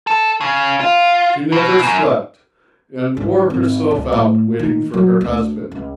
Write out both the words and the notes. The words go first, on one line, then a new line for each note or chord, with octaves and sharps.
She never slept, and wore herself out waiting for her husband.
A4
C#3
F4
B2
F#2
G#2
G#1
C#2
A2
D#3
F#3
D2
C#2